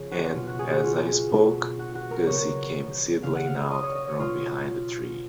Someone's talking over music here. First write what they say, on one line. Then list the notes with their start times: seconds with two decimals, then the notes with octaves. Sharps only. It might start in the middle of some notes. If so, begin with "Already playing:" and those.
And, as I spoke, Gussie came sidling out from behind a tree.
Already playing: C#3 F3 C#5
0.11 F#4
0.34 B2 F#3 F4
0.47 F#4
0.59 G#4
0.71 F#4
0.83 F4
1.31 B2 F#3
1.79 F#4
1.95 F#4
2.11 A#4
2.27 C#3 F#3 C#5
3.23 C#3 F#3 F5
3.35 F#5
3.47 F5
3.59 F5
3.71 D#5
3.83 C#5
3.95 D#5
4.07 C#5
4.19 B2 F#3 F4